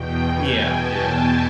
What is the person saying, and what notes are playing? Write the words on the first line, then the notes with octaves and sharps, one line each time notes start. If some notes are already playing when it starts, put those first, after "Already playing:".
Mm, yeah, yeah.
Already playing: E2 B2 G5
G#5
A5